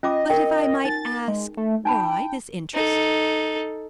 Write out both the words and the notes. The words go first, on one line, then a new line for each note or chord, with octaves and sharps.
"But if I might ask--why this interest?"
C#4 F4 D#5 D6
A#4 G5
D#4 A6
G#3
A3
D#4 G5 A5 B5
D#4 A4